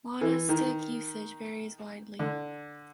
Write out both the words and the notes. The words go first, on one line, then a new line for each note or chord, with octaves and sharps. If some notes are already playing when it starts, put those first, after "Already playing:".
Monastic usage varies widely.
E3
D#3
D3